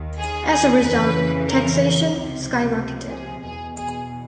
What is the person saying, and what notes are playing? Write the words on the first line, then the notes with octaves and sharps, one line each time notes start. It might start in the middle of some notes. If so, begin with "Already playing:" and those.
As a result, taxation skyrocketed.
Already playing: D#2 D#3
G#4
G#4
F2 C#3 E3 B4
A#4
C#2 C3 F3
G#4
E2 B2 G#4
G#4